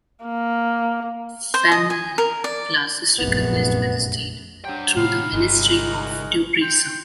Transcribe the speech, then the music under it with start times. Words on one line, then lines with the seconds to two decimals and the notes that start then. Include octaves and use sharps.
Famille Plus is recognized by the State through the Ministry of Tourism.
0.25 A#3
1.54 C5
1.72 D#5
1.90 G#5
2.18 A#4
2.44 D5
3.19 F1 A#1 F#2 B3
4.65 F#3 D4 G4 C5 G5
4.96 C2 A2 C3 F5 B5
5.32 G1 G#3 D#4 F#4 A#4
6.62 G5 C6